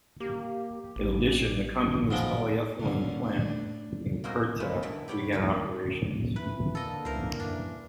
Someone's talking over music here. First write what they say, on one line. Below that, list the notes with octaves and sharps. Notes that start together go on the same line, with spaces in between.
In addition, the company's polyethylene plant in Kerteh began operations.
A#3 G4
A1
B2 F3 G#3 D7
D3 A#3 C#4
A2 D4
A#3 C#4 F#4 G#4 C5 D#5
G#3 A#3 F4 B4 C#5
D3 E3 A3 B3 E4
G4 B4 C#5 D5 F#5 G5
A2 D#3 A#4 E5
E3 B4
D3 A#3 A4 D#5
C#2 E3 A#4 C5
F#2 D4